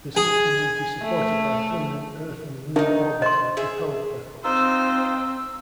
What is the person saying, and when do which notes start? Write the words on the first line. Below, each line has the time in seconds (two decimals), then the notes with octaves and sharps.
The system would be supported by permanent Earth and lunar orbital propellant depots.
0.17 G#4 G#5
1.01 A3
2.76 D#3 D4 D#4 A#4 E5
3.22 C5 D#5 C6
3.57 G#4 E5
4.44 C4 D#4 F4 C5 E6